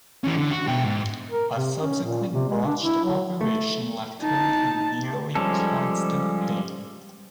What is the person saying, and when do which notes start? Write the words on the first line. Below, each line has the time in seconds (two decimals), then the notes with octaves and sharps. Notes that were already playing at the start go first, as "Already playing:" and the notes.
A subsequent botched operation left him in nearly constant pain.
0.24 E3 C#4
0.38 D3
0.52 F#4
0.68 B2 G5
0.85 G#2
1.31 A#4
1.55 C3
1.80 C#4
2.03 A#2
2.32 C3
2.49 G#3
2.65 D4
2.80 E4
3.04 F#3
3.41 A3
4.21 D#4 A5
5.35 F3 G3 G#3 C#4 A4